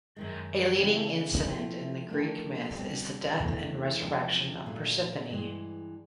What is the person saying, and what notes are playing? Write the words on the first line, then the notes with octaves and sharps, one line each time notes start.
A leading incident in the Greek myth is the death and resurrection of Persephone.
F#2 D#3 G#3
C#3 E3 G#3 C4
F3 A3 C4 E4
F3 A3 D4 G4 A#4
B2 G3 C4
E2 C3 E3 A3
E2 C3 F3 G#3 C#4
A#2 F#3 A3
G2 E3 G#3